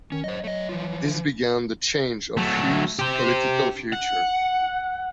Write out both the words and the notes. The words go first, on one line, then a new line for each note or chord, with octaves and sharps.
This began the change of Hu's political future.
D#3 C#4
F#3 C5 D#5
A3 D#5
E3 F3 F4
F#3 A3
G4 C5
F#5